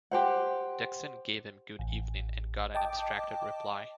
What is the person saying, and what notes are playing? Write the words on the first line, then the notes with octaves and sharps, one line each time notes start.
Dickson gave him good evening and got an abstracted reply.
G4 C5 F#5
A1
D#5 G5 A5 D6